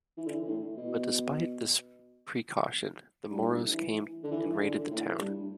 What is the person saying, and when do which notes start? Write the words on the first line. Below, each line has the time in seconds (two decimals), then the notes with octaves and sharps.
But despite this preacaution, the Moros came and raided the town.
0.18 E3
0.26 D3
0.33 E3
0.48 A2
0.77 B2
3.30 G2
3.43 A2
3.72 E3
4.23 D3
4.31 E3
4.60 D3
4.91 A2
5.19 G2